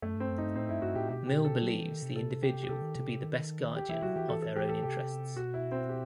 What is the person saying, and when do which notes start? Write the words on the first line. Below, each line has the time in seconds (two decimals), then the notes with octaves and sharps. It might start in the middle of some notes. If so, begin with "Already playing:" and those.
Mill believes the individual to be the best guardian of their own interests.
0.02 F#2 A3
0.15 G2 C4
0.29 F#2
0.38 G2 D#4
0.55 A2 C4
0.69 G2 E4
0.82 G2 F#4
0.95 A2 G4
1.09 B2 G4
1.27 G4
1.45 A4
1.62 F#3
1.76 E3
1.89 D#3
2.02 C3
2.16 A4
2.42 G4
2.63 G4
2.69 C3 A4
2.82 D#3
2.95 C3
3.09 C3
3.23 D#3
3.76 G4
3.89 E3 E4
4.02 F#3 F#4
4.16 E3 G4
4.29 E3 A4
4.42 A4
4.56 E3 G4
4.69 A4
4.83 C3 G4
5.36 B2 F#4
5.54 E4
5.72 C4
5.89 G4